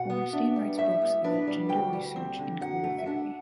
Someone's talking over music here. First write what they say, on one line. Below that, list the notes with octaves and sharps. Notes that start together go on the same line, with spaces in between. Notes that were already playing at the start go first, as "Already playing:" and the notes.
Bornstein writes books about gender research and queer theory.
Already playing: B2 F#5
B3
D4 E5
G3
A2 E5
B3
D4 B4
G3
D2 G5
G3
C4
D3
F#2 F#5
A3
E5
D4 F#5